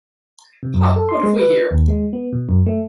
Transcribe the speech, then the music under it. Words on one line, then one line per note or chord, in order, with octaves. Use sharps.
Ha, what have we here!
C3
F#2
A4
C6
G#3
B4
D#2
G#3
B3
B2
F#2
A3